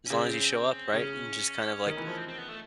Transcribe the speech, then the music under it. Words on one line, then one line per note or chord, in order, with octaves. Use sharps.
As long as you show up, right, and just kind of, like,
C#4
C#3 C4
C#3 C#4
D#3
E3
F3
C4
C4
B3
A3